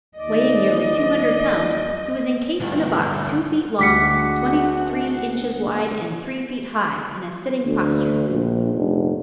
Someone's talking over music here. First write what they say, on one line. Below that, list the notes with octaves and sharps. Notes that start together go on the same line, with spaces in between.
Weighing nearly two hundred pounds, he was encased in a box two feet long, twenty-three inches wide, and three feet high, in a sitting posture.
D#2 D5 D#5
D2 G2
D2 G#3 D4 F#4 F#5 D6 B6 C#7
D2
A#1
F1